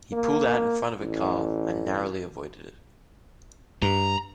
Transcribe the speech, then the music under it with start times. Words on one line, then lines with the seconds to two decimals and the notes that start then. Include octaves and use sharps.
He pulled out in front of a car and narrowly avoided it.
0.13 A#3
1.00 A1
3.82 G2 A#5